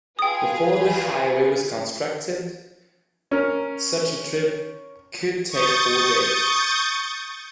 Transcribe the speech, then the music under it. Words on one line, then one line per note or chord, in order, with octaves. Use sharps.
Before the highway was constructed, such a trip could take four days.
F4 G#4 B4 G5 D#6
C#4 A#4
C#6 D#6 G6 A6